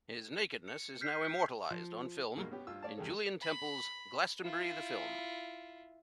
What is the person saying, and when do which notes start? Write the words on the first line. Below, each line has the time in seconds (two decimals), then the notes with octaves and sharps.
His nakedness is now immortalized on film in Julien Temple's "Glastonbury The Film".
0.68 C#7
1.01 F6 G6 B6 C7
1.71 F3
2.37 G2 B2 G#3 A#3
2.52 B3 C#4 G4
2.67 G2 F4 E6
2.82 C#5 D5 F5 A5
2.97 E2 G2 D#3 G3 G#4 A4
3.41 B5
4.44 E4 F4